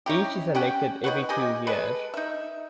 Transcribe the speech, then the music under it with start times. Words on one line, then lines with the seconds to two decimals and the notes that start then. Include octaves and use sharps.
Each is elected every two years.
0.06 C#4 D#4 E4 G4
0.55 C#4 G4 F#5 G5
1.04 D#4 B4 C#5 F#5
1.29 G4 D#5 G#5
1.67 G#3 A4 B4
2.14 D#4 E5